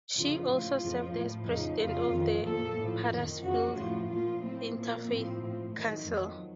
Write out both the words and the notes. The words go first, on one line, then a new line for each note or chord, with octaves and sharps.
She also served as president of the Huddersfield Interfaith Council.
F2 C#3 F3 F4
A2 F3 F4
F2 C#3 F3
A2 F3
F2 C#3 F3 D#4
F2 C#3 F3 F4
F2 D#3
A#2 F3 A4
A2 F3
F2 D#3
F2 C#3 F3 F#4
A2 F3 F4
A#2 F3 F4
A2 F3 C4
A#2 F3 A#3
A2 F3 C4
A2 F3
F#2 D#3 A3
F2 D#3 F#3